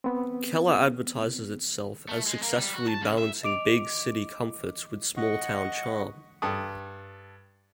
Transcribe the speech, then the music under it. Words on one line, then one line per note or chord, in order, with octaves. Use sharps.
Keller advertises itself as successfully balancing big-city comforts with small-town charm.
B3 C4
A3
G#3
A#3
G3
F#4
A5
C#3
E5
D#5 D6 D7 F7
D#5 F#5 C#6
G2 A4 D#6